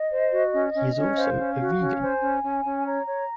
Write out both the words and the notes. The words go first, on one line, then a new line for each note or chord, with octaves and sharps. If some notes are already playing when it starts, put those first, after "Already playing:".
He is also a vegan.
Already playing: D#5
C5
F#4
C#4
C#4
C#4
C5 F5
C#4
F#4
C#4
C5 G#5
C#4
C#4
C#4
C#5 A#5
C#5